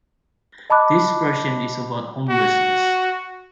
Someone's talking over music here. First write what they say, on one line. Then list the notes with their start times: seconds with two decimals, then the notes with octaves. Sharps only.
This version is about homelessness.
0.70 D#5 A5 B5 D6 F#6
2.29 F#4